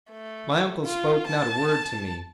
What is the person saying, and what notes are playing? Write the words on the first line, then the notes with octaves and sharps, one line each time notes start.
My uncle spoke not a word to me.
A3
F4
A5